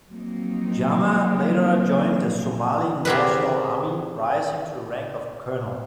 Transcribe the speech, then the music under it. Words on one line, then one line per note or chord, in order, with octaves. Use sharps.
Jama later joined the Somali National Army, rising to the rank of Colonel.
F3 F#3 A#3 C4 D#4
C4 G4 G#4 A#4 B4